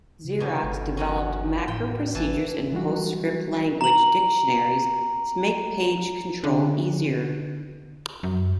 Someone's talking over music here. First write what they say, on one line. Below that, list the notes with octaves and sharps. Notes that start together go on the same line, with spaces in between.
Xerox developed macro procedures in PostScript language dictionaries to make page control easier.
C#3
B2 D3
G1
E2 F#3 C#4
A2 G5
G#1 E3 A5
E3 F#3 G3 F4 F#4
A#5 F#7
D3
F#2